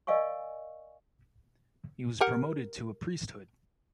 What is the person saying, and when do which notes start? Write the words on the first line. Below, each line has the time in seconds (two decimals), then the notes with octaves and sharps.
He was promoted to a priesthood.
0.07 A#4 D5 D#5 F5 G#5 C#6
2.20 G4 A#4 F#5